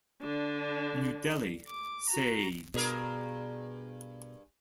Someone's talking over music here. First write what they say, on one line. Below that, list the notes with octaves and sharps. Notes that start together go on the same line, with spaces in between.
New Delhi: Sage.
D3 D4
D6
F#4 A#5
G2 B2 G#4 A#4